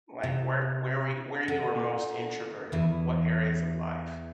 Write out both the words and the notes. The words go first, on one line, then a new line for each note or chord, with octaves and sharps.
Like, whe where you where you were most introverted, what areas of life,
C3
D3
E2 E3